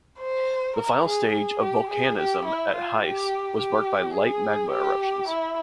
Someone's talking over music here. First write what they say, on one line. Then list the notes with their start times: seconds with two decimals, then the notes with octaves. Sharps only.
The final stage of volcanism at Heise was marked by "light" magma eruptions.
0.20 C5
0.76 A#4
1.05 G#4
1.33 G#4
1.62 G4
1.89 G#4
2.18 G4
2.45 E4
2.75 F4
3.03 G4
3.58 G4
4.15 G#4
4.71 G4
5.28 E4